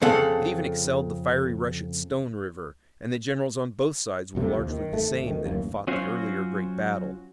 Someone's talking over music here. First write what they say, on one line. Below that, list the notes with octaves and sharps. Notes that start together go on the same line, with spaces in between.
It even excelled the fiery rush at Stone River, and the generals on both sides were largely the same that had fought the earlier great battle.
F2 C#3 A4 F#5
C2 F2 C3 A3
D#2 F3
D#3
G#1 A3
D2 D#3
D1 A1 F#2 A#3
F#3 C#4 F4 F#4 C5